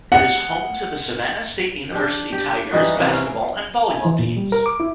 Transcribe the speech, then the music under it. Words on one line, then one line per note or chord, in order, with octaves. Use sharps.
It is home to the Savannah State University Tigers basketball and volleyball teams.
F#5
D4 G4
G4
E3 G3 D#4 F#4
C3 E3 A#3 F#5
C#4 E4 F5
G#5
E3
A#2
G3
A#4
D6
E4